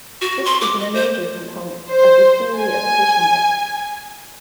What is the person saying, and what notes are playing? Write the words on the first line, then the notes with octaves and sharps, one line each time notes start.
This is a major component of the theory of accretion disks.
F#4
C6
D6
D#5
C5
C5
G#5